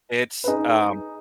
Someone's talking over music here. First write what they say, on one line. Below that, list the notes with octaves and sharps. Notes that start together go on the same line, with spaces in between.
it's, um
B4
D#4 G#4